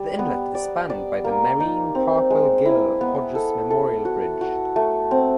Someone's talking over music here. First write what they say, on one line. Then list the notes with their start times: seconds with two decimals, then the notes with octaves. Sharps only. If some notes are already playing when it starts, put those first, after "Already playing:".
The inlet is spanned by the Marine Parkway-Gil Hodges Memorial Bridge.
Already playing: G3
0.19 B3
0.55 D5
0.90 D5
1.24 A#3
1.60 D#4
1.95 C4
2.30 G#3
2.65 E4
3.01 B3
3.35 A4
3.70 A4
4.05 F#4
4.41 F#4
4.76 A3
5.11 C4